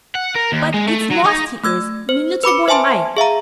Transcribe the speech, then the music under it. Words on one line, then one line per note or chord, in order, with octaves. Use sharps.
But it's lost he is, me little boy Mike.
F#5
A#4
D#2
G#3
A3
F#3
D#4
A3 E6 G#6
C5
B4 B5 D6 C#7
C5 E5 G#5 A5 C6
G#4 E5 F5 A#5